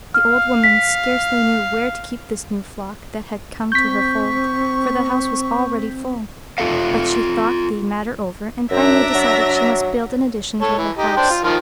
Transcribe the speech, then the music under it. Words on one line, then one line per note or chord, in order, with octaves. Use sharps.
The old woman scarcely knew where to keep this new flock that had come to her fold, for the house was already full; but she thought the matter over and finally decided she must build an addition to her house.
F5 F6
B6
C4 C#6 G6 B6
F4 F#4 A4 E5 F5
F#2 D4 E5 A#5
F#3
A4 C#5
E3
D#4 G4
D4 C5 G5
F4
D#3 F3 F4